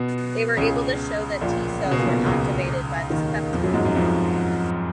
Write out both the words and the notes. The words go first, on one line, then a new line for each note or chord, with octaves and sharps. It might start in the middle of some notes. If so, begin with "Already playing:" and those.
They were able to show that T cells were activated by this peptide.
Already playing: B2 B3
C#2 C#3
A#1 A#2
C#3
B2
A#2
B1 B2
C#2 C#3
D#2 D#3
F2 F3
F#2 F#3
G#2 G#3
F#2 F#3
F2 F3